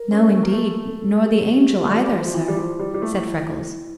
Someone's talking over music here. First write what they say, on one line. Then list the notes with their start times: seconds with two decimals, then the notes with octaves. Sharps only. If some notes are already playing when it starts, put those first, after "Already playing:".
"No, indeed; nor the Angel, either, sir," said Freckles.
Already playing: A#4
0.11 C#4
0.33 A3
0.43 A#3
0.52 A3 A4
1.23 G4
1.85 A3
1.90 G3 F4
2.12 F3
2.34 E3
2.48 G3 F4
2.57 F3 E4
2.79 G3
2.94 G3
3.02 A3